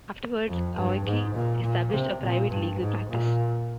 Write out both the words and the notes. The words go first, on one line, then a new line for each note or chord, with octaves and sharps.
Afterwards, Aoki established a private legal practice.
F2
G2
G#2
A#2
A#2
C3
A#2
G2
G#2
A#2